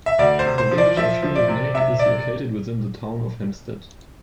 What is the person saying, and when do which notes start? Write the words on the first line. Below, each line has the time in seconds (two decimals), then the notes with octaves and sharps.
The Village of Hewlett Neck is located within the Town of Hempstead.
0.06 E5
0.19 D2 D5
0.39 C5
0.45 C3
0.58 C5
0.71 F3
0.78 D5
0.97 F3 E5
1.23 F3
1.35 D5
1.48 C3
1.74 C3 E5
1.99 D5